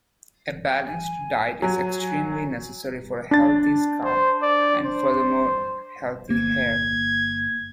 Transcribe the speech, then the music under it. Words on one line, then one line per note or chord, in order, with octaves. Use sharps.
A balanced diet is extremely necessary for a healthy scalp and furthermore healthy hair.
G#5
F#3 G#5
D4 A6
C5
D5
C5
G1 A#3 G#6